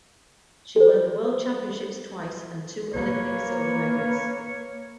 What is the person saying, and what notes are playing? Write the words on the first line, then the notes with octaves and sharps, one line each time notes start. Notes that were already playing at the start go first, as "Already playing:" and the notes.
She won the World Championships twice and two Olympic silver medals.
A4 C5
A#3 B4 C#5